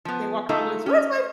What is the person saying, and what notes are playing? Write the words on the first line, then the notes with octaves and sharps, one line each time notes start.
they walk around going, "So where's my
F3 B3
A3 D#4 F4 A4
C#4 C#5